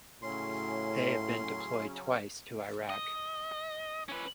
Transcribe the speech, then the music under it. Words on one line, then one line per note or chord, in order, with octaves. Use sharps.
They have been deployed twice to Iraq.
A2 C#3 F#3 C#4 C6
D#5
C#4 B4